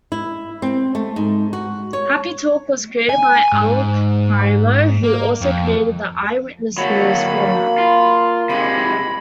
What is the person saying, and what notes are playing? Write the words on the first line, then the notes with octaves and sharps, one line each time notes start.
Happy Talk was created by Al Primo, who also created the "Eyewitness News" format.
E4
C4
A3
G#2
F#4
C#5
G#5
G#2
A#3
F2
F#3 A3 A#3 B5
F4
C3 G#3 B5